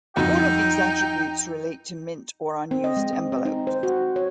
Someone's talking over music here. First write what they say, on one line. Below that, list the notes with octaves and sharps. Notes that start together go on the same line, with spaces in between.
All of these attributes relate to mint or unused envelopes.
F2 D#4 F#4 F#5 G5
C4
D#5
G#3
C4
C4
D#4
C5
F#4
C#5